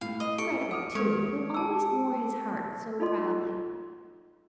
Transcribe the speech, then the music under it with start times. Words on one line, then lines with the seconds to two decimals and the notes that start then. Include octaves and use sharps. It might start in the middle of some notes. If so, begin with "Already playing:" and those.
Frederick too, who always wore his heart so proudly!
0.01 A2 F5
0.20 D#5
0.38 A4 C#6 C#7 D7
0.71 F#5 D6 D#6 F6
0.95 G#3 A4 C#5
1.54 A5 D6 E6
3.00 D#4 F4 A4 D#5 C6